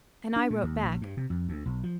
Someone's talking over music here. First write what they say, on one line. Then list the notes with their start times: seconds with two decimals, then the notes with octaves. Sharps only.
And I wrote back.
0.36 D4
0.50 A#2
0.63 D#2
0.83 A#1
1.01 G2
1.17 C3
1.30 F2
1.49 D2
1.66 B1
1.83 F3